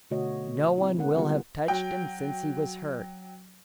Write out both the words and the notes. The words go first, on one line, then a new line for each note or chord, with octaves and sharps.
No one will have touched him since he was hurt.
B2 D3 A3 F#4 C#5 D#5
C4 E4
G#3 A#3 A#4 F#5
D3 G3 B3 F4 G4 G#4
F#3 G5